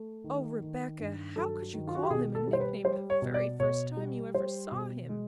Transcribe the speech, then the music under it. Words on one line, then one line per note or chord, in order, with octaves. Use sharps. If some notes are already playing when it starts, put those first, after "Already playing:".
"Oh, Rebecca! how could you call him a nickname the very first time you ever saw him?"
Already playing: A3
D#3
D#3
G2
F#3 A4
D#3
F4
F#4
G4
B2 G#4
A4
G3
C5
B4
G3 C5
C#5
B2
D5
B2 C#5
G3
G3 C5
B2
G#3